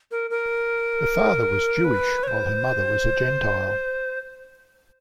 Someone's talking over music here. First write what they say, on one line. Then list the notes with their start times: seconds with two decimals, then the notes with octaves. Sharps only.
Her father was Jewish while her mother was a gentile.
0.11 A#4
0.30 A#4
1.84 B4
2.23 C#5
2.28 C5